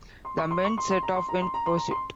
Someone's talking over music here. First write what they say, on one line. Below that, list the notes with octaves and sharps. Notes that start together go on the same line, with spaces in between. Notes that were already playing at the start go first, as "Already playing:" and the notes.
The men set off in pursuit.
C6
C#6
C6
C#6
C6
C6
A#5
C6
A#5
C6
A#5
C6
A#5
C6